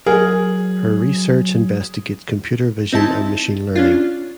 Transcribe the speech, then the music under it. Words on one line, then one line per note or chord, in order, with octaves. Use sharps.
Her research investigates computer vision and machine learning.
F#3 G#4 A#4 D#5 F#5
C4 D#4 E4 A5
C#4 D4 F4